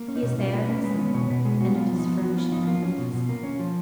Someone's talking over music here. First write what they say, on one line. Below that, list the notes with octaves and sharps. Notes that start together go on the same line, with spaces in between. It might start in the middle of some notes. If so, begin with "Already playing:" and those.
He is there in summer, and it is furnished magnificently.
Already playing: A#3
C#4
D#4
B2
B2 F4
A#3 B4
C#4 B4
G#3 B4
B3 C#5
B2 C#5
B2 B4
G#3 G#4
B3 F#4
B3 F4
F3
D#4
B3
F3 F#4
B3 F4
F3 D#4
A#3 F4
C#4
B2
B2
A#3
C#4
F3